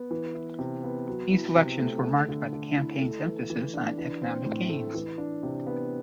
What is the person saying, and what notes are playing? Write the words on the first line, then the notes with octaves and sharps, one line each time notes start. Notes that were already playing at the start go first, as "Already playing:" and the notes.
These elections were marked by the campaign's emphasis on economic gains.
Already playing: B3
E3
E4
C3
B3
F#3
E4
C3
A3
A3
D3
D3
E4
A3
E3
E3
D4
E3
C4
A2
A3
E3
D4
C3
B3